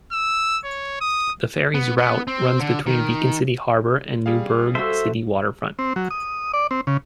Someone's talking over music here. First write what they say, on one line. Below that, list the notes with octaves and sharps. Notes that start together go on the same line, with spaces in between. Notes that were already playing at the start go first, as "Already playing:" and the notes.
The ferry's route runs between Beacon City Harbor and Newburgh City Waterfront.
E6
C#5
D#6
B3
B3
C4
D3
D#3
G3 G#4 F5
F#4 A4 C5 E5
C4
F#3
D#6
D5
C4
C#3